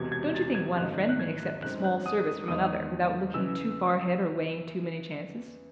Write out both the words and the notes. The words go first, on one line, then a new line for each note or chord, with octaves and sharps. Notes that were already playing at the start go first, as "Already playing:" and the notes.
Don't you think one friend may accept a small service from another without looking too far ahead or weighing too many chances?
Already playing: E1 E2 C3 G#6
G#6
A6
G#6
G#1 F#2 D#3 F#3 A3 F#6
F#6
G#6
F#2 D#3 G#3 C4 F#6
F#6
D#6
D#6
E2 D#3 G#3 D#6
C#3 E3 E6